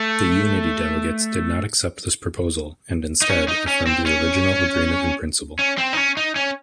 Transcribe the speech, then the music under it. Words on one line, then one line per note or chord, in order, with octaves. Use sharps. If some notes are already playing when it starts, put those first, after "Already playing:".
The Unity delegates did not accept this proposal and instead, affirmed the original agreement-in-principle.
Already playing: A3
D#4
C#4
D#4
C#4
C4
C#4
C#4
C4
D#4
C#4
D#4
C#4